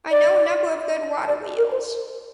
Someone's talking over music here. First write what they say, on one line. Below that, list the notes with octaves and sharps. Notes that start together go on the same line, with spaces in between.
I know of a number of good water wheels.
D5
D5
A#4
C5